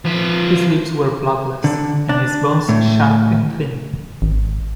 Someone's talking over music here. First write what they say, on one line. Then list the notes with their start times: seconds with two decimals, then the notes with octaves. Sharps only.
His lips were bloodless, and his bones sharp and thin.
0.05 F3 B4
1.64 D3
2.09 D4
2.69 A2
4.22 G#1